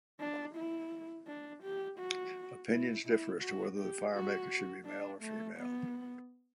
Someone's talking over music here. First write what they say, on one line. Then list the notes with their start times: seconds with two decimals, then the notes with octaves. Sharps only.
Opinions differ as to whether the fire-makers should be male or female.
0.20 D4
0.56 E4
1.27 D4
1.63 G4
1.99 F#4
2.70 E4
3.06 E4
3.42 F#4
3.78 G4
4.14 F#4
4.85 D4
5.22 A3
5.57 B3